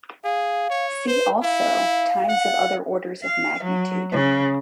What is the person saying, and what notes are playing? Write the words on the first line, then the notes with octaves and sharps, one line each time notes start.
"See also" times of other orders of magnitude.
G#4 F5
C#5
B4 C5
E4 F5
F#5
F5
F#3
C#3